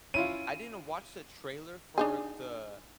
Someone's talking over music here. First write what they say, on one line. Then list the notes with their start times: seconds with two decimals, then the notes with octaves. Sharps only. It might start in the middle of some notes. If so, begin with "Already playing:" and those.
I didn't watch the trailer for the
0.14 C#4 E4 F4 D#7
1.98 D4 D#4 G#4